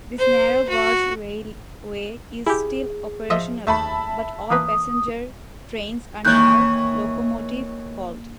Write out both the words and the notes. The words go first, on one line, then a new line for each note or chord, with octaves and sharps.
This narrow gauge railway is still operational but all passenger trains are now locomotive-hauled.
C5
F#4
E4 G4 G#4
F3 D#5 E5
D#2 A3 E5 A5 B5
E3 A#3 B4 D#6
D#3 E3 A#3 C#5 F#6 G6